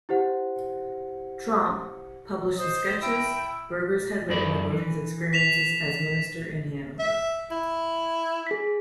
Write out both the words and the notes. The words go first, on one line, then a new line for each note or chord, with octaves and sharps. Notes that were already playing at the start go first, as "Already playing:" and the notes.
Tromp, published the sketches Burgers had written about his experiences as minister in Hanover.
E4 G4 C5 F#5
C5 D#5
E4 G5
F#2 E4 D5
E3
B6 E7 F7
E5
E4
G#4 B6